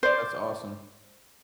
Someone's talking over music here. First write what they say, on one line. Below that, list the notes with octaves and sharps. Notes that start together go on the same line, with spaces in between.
That's awesome.
C5 D5